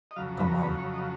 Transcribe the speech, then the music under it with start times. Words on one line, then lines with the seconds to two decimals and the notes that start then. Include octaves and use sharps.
Come on!
0.11 D#5
0.16 F2 C#3 F#3 F5
0.39 B4
0.47 A#4
0.63 B4
0.78 C#5
0.94 D#5